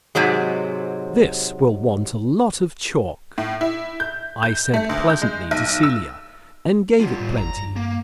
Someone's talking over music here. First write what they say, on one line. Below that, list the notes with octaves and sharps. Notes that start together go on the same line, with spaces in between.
"This will want a lot of chalk," I said pleasantly to Celia, and gave it plenty.
G#2 C3 F#3 G#3
A2
E4
G6
G6
A3
D2
G6
G#3
B1
E6
G3 F4
A2
G1 A#5
G2
A#3